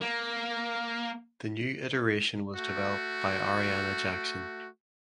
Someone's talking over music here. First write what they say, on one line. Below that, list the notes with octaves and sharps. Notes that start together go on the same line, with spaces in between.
The new iteration was developed by Ariana Jackson.
A#3
A3 F#4